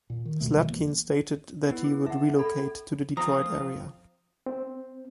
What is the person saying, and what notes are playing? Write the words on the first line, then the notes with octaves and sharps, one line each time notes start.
Slatkin stated that he would relocate to the Detroit area.
A#2
D#3
F#1 D2 B2 A3
B2 D#3 E3 G3
E1 E3 A#3
B3 E4 B4
G#4
E5 F#5 A5
A4 B5
F3 C4 F4 A#5 D#6
C4